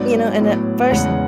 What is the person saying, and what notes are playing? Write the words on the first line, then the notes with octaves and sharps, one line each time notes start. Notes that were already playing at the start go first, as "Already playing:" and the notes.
you know, and at first
Already playing: G#2 F#3 B3 D5
A2 F#3 B3
E2 C#3 G#3 B3 F#5